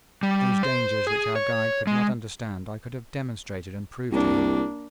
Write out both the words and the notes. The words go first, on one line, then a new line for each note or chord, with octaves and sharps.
Those dangers which our guide could not understand I could have demonstrated and proved to him.
G3
C5
G#4
C#5
G#3
C2 A#3 D4